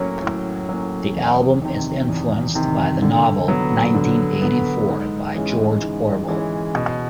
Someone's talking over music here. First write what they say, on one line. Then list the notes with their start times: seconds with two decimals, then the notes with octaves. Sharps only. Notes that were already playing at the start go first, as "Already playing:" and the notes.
The album is influenced by the novel "Nineteen Eighty-Four" by George Orwell.
Already playing: A2 F#3 A#3 C#4
0.22 A2
0.69 F#3 A#3 C#4
1.15 E2
1.62 C3 D#3
2.08 E2
2.55 C3 D#3
3.02 D3
3.48 F#3 B3
3.94 D3
4.42 F#3 B3
4.88 G#2
5.34 E3 G#3 C#4
5.81 G#2
6.28 E3 G#3 C#4
6.75 B2